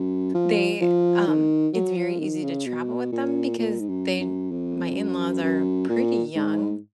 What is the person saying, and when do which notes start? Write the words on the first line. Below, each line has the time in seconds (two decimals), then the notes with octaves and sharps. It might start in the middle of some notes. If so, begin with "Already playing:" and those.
they um, it's very easy to travel with them because they my in-laws are pretty young.
Already playing: F#2
0.34 F3
0.81 F3
1.27 D#3
1.73 F#3
1.96 F3
2.19 D#3
2.43 C#3
2.66 B2
3.12 A#2
3.58 A#2
3.80 G#2
3.89 F#2
4.20 F#2
4.51 F2
4.96 F#2
5.43 F#2
5.89 A#2
6.35 G#2